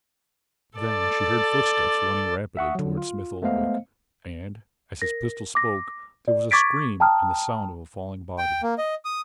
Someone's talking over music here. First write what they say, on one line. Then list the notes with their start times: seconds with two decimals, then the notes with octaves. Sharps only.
Then she heard footsteps running rapidly toward Smith-Oldwick and, as his pistol spoke, there was a scream and the sound of a falling body.
0.78 A4 D5
2.57 E5 F#5 C#6 D#6
2.75 D3 F#3
2.97 F4
3.42 G#3 A3 B3 C5 D#5 F5
5.02 A#4 A#6
5.55 D6 A#6
6.28 D5
6.51 C#6 D6 G#6 A6 B6 D7
7.00 G5 A5 A#5 D#6 F6
8.38 G5
8.63 A#3
8.78 D#5
9.05 D#6